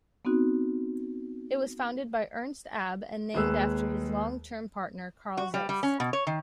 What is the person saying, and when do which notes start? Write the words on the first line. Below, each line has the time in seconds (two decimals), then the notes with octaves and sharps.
It was founded by Ernst Abbe and named after his long-term partner Carl Zeiss.
0.25 B3 C4 D#4 F#4
3.34 D#2 G#3 G#4 B4 E6
5.37 F#4
5.54 G3
5.69 G3
5.83 C#4
6.00 B2
6.13 C#5
6.27 D#3